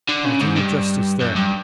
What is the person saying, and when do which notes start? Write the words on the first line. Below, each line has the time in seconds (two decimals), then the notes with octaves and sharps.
I'll do you justice there.
0.09 D3
0.25 C#3
0.40 G#2
0.57 G2
1.21 F#2
1.36 G2